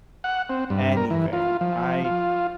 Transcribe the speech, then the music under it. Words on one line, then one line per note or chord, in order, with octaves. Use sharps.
anything. I
F#5
C4
G2
A#4
E3
F4
F3
F4